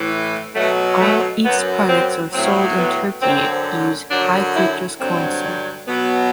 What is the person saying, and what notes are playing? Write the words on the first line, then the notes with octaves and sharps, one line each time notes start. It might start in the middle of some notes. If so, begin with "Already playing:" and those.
All Efes products sold in Turkey use high fructose corn syrup.
Already playing: A2 E3
B2 F#3 A3
A3
F#2 F#3 B3
C4
A2 F#3 C4
B3
F#2 D3 F#3 C4
F#2 D3 F#3 D4
E4
G2 D3 F#3 C4
B2 F#3 B3